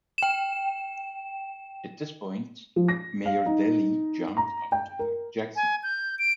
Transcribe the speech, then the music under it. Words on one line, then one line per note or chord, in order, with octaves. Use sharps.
At this point Mayor Daley jumped up to hug Jackson.
G5 E7
F3
A#6
F5
D#4
A#5
G5
A#4
G#5
G6
D7